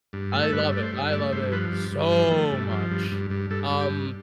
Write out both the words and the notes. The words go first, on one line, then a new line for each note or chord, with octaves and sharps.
I love it I love it so much, um
G2
A3
A4
G2 B4
A3 D5
C5
G2
A3 D5
G2 C5
F3 B4
G2
G2
F3
A3
G2
F3
G2
G2
G2
G2 A4
G2
G4
G2